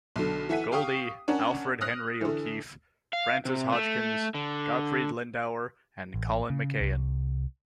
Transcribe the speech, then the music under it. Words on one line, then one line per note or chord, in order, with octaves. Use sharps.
Goldie, Alfred Henry O'Keeffe, Frances Hodgkins, Gottfried Lindauer and Colin McCahon.
B1 D3
E3 A4 E5 F#5 B6 D#7
G4 F5 G5 C#6 D#6
C#4 D4 A#4 F#5
D#6 F6 F#6 A#6
D3 E3
F5
C3
A3
D3
A1
C#3
C2